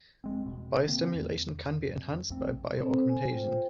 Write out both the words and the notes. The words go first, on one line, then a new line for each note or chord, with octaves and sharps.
Biostimulation can be enhanced by bioaugmentation.
E1 G#3 C4
E1 C#2 B2
D3 A#3 C4
E2
F2
A#1 F2 A3 C4
C4 A4 C5
G#5
F4 C5 G5